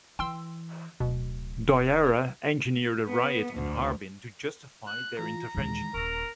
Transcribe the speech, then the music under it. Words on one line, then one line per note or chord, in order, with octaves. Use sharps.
Doihara engineered a riot in Harbin to justify their intervention.
E3 G5 C6 E6
D1 B2
B3
D2
F#6
E3 F4 A#5
D#2 A#2 D#3 E3 G#3
D#1 A#4 C#6 E6